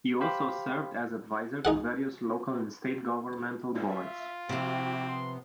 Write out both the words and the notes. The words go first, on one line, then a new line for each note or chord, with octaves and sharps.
He also served as advisor to various local and state governmental boards.
G4 C5 F5 B5
D#4 G#4 F#5
F4 E5
C3 F3 C4 E4 F#4 G4
B3 C6